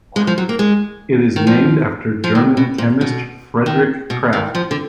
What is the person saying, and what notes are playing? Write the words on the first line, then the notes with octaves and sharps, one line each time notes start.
It is named after German chemist Friedrich Krafft.
G#3
F3
F#3
A#3
G#3
D#3
F3
F3
D#3
B2
A#2
B2
D#3
B2
D#3
F3
D3